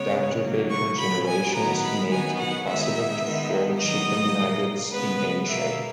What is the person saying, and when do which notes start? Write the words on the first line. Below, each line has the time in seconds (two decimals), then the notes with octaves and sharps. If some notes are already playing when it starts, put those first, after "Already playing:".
Doctor Baker's innovations made it possible to form chicken nuggets in any shape.
Already playing: C#3 G#3 B3 C#5
0.42 C#3 F#3 A#3
0.70 C#6
0.98 A#2 F#3 B3 B5
1.27 G#5
1.55 D#3 F#3 B3 A#5
1.83 B5
2.11 D#3 F#3 B3 G#5
2.39 F#5
2.67 D#3 G#3 B3 E5
3.23 D#3 G#3 B3
3.79 D#3 F#3 B3 D#5
4.35 A#2 A#3
4.92 C#3 G#3 B3 B4
5.48 B2 A#3 E5